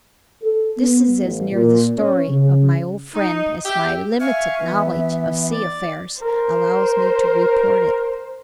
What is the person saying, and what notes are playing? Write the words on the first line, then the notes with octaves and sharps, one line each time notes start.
This is as near the story of my old friend as my limited knowledge of sea affairs allows me to report it.
A4
B3
A1
A#2
C#4
C#3
D#4
G4 E5
E5 F5 G#5 C#6
E3 B3
D5 A6
A#4 C5